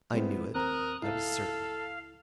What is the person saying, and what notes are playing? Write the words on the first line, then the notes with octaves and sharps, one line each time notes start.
I knew it, I was certain.
G#3 B3 C4 E4
D#2 C4 A#4 A#5 D#6 F#6
C#2 E4 A4 F5